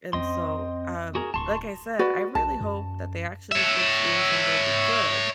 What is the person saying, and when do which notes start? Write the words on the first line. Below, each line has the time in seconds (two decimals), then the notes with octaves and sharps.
And so, um, like I said, I really hope that they actually fix things and they'll be good,
0.13 F2 C4 C#4 D#5 C6
1.15 F#4 G#4 A#4
1.34 D1 A5 C6 C#6
1.99 F#4 B4 D5
2.35 B1 A5
2.60 F#2
3.52 C#5 E5